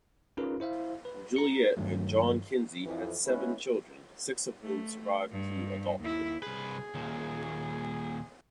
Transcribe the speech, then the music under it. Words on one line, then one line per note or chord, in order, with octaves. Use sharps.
Juliette and John Kinzie had seven children, six of whom survived to adulthood.
C#4 D#4 F4 G#4 A#4 B4
E4 C5 E5 F5
B4
A#5 C#7
G2 D#3 F#3 A3
F2 E3
G#3 B3 C#4 E4 B4
A3
G2
D#2 E4
C2 G#4 B4
D#2 A#2